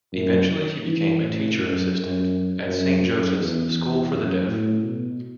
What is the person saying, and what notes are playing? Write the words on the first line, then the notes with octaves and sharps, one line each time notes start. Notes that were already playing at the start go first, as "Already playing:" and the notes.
Eventually, he became a Teacher Assistant at Saint Joseph's School for the Deaf.
F#2
E3
A2
F#2
F#2
F#2
F#2
E2
E2
F#2
A2
B2